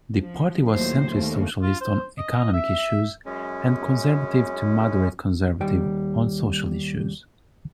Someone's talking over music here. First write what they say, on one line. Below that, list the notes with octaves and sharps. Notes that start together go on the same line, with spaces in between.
The party was centrist-socialist on economic issues and conservative to moderate-conservative on social issues.
F3
D#2 A2 F#3 C5
D#2 A3 A#3
F4
C5
D#5
E5
F#2 G#3 C#4
D#2 G3 G5